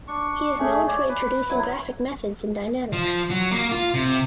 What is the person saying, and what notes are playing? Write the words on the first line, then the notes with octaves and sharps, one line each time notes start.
He is known for introducing graphic methods in dynamics.
D4 C#6
A3 G#4
C#5 D5
B4
F#3 E4
F3
F#3
A#3
F4
C3